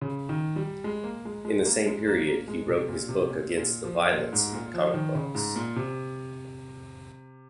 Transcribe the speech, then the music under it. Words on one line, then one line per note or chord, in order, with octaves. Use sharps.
In the same period he wrote his book against the violence in comic books.
C#3
D#3
G3
G#3
A#3
G#3
G#3
A#3
G#3
A#3
A#3
G#3
C3
A#2
C3
A#2
A#2
F3
A#2
G#2
A#2
F3
D#3
C#3
G#2
A#2
C3